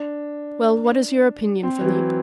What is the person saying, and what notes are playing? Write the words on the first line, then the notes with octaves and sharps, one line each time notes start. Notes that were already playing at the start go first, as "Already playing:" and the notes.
"Well, what is your opinion, Philip?"
Already playing: D4
C4
E3
F#3